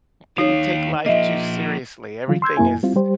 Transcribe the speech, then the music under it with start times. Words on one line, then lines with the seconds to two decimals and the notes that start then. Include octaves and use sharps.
didn't take life too seriously. Everything is
0.38 D#2 D#4 C#5 F5
1.06 F3 A#3 D#5 E5
2.28 D3 E3 F#3 F4
2.42 C6 E6 G6 G#6
2.57 F#2 A#3 E4 G#5
2.83 G3 C4 E4 F4
2.96 G3 G4 C5